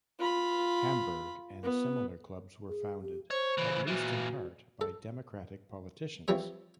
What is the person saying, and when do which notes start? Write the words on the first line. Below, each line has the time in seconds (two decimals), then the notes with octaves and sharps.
Hamburg and similar clubs were funded, at least in part, by Democratic politicians.
0.19 F4 B5
1.63 B3
2.69 G#4
3.02 G4
3.31 C5 C#5
3.58 C#3 E3
3.87 A#2 E3 F#4
4.81 A4
6.28 E3 F3 G3 C4 C#5